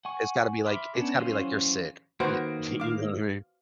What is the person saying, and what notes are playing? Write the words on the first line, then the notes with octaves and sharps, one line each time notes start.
It's gotta be, like it's gotta be, like, you're sick, you you know what I mean.
F#5 G#5 C#6
E5 B5 C6 D6 F6
B3 C#4 D4
E3 F#3 C#4 C5 F5
D#3 A#3 F#4 B4 C5
F5 D6